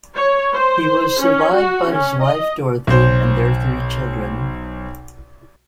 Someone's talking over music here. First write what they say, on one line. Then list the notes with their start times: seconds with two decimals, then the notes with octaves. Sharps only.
He was survived by his wife, Dorothy, and their three children.
0.15 C#5
0.53 C5
1.22 C#4
1.55 F#4
1.92 C#4
2.23 D#5
2.87 B1 C5